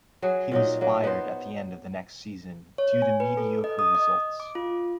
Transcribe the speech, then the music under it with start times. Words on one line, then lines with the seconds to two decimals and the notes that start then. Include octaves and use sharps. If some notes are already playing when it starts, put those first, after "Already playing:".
He was fired at the end of the next season due to mediocre results.
0.22 F#3 F#4 G#4
0.52 A#2 F#3 D#4
0.81 F#3 A#3
1.04 B3 C5
2.78 C#5
3.02 G#5
3.20 B4
3.37 A4
3.64 D#5
3.79 D#6
3.95 D#5
4.40 D6
4.55 F4